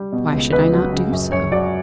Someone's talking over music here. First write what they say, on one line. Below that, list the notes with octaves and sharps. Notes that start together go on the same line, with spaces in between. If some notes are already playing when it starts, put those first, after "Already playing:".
"Why should I not do so?"
Already playing: G3
B2
C#2
C#2 B4
F#3
C#3
F#2
F#2 C#5
F#3 D5